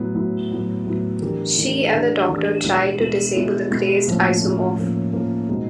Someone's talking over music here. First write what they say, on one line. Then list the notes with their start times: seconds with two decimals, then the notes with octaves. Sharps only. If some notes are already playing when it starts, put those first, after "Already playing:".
She and the Doctor try to disable the crazed isomorph.
Already playing: A2 F#3 B3 E4
0.15 A2 F#3 B3 E4
0.51 A2 F#3 B3 E4
0.86 A2 F#3 B3 E4
1.21 E3 A3 D4 G4 A#4
1.57 E3 A3 D4 G4 A#4
1.93 E3 A3 D4 G4 A#4
2.28 E3 A3 D4 G4 A#4
2.64 B2 G#3 B3 E4 A4
2.99 B2 G#3 B3 E4 A4
3.35 B2 G#3 B3 E4 A4
3.71 B2 G#3 B3 E4 A4
4.06 A2 F3 A#3 C#4
4.42 A2 F3 A#3 C#4
4.77 A2 F3 A#3 C#4
5.13 A2 F3 A#3 C#4
5.49 B2 G#3 C4 D#4